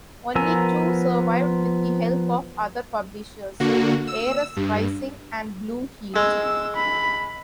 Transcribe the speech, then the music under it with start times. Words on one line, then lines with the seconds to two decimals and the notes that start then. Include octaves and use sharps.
Only two survived with the help of other publishers: "Ares Rising" and "Blue Heat".
0.35 F3 B3 A#4 G#5 E6
3.60 D3 A#3 F#4
4.07 E6
4.57 G2
6.16 G#3 E6
6.75 B5